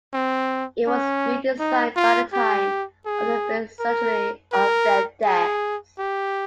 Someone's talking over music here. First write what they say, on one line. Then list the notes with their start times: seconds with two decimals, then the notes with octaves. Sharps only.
It was redesigned by the time of the bicentenary of their deaths.
0.13 C4
0.87 C#4
1.59 D#4
1.96 F4
2.33 G4
3.06 G#4
3.79 A#4
4.53 A#4
5.25 G#4
5.99 G4